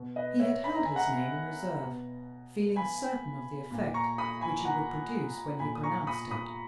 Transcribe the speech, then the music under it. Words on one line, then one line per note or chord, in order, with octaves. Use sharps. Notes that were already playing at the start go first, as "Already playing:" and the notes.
He had held his name in reserve, feeling certain of the effect which he would produce when he pronounced it.
Already playing: B2
B4 D#5
C#5 E5
B5
A#5
G#5
F#5 A#5
B2
G#5 B5
A#2
A#5 C#6
B5 D#6
G#5 B5
F#5 A#5
A#2 G#5 B5
D#6
A#5 C#6
B5 D#6
B5 D#6